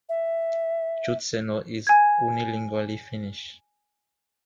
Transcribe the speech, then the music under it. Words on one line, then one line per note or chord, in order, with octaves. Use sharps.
Joutseno is unilingually Finnish.
E5
G#5 G#6